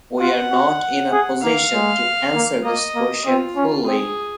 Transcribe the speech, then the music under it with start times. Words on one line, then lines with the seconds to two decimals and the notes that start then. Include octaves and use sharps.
We are not in a position to answer this question fully.
0.20 F4 F#5
0.51 F#4
1.12 G#4
1.43 A#3 F5
1.73 G#3
2.35 A#3
2.64 A#3 D#5
2.95 A#3
3.26 C4 F4
3.56 C#4
3.86 C4 G#4